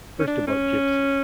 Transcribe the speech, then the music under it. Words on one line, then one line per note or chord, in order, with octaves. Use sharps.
First about Gypsy.
C#4
D4
C#4